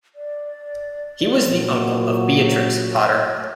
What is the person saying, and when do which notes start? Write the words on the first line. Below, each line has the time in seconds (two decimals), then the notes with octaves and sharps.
He was the uncle of Beatrix Potter.
0.15 D5
1.48 A#2 F#3